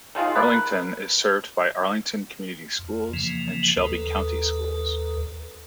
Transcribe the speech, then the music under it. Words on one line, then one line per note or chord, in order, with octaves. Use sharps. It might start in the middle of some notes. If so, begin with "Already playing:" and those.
Arlington is served by Arlington Community Schools and Shelby County Schools.
D#3 G#3 F4 G#4
A#4 B4
F2
C#3 E3 F3 A#3
D#2 A4 B4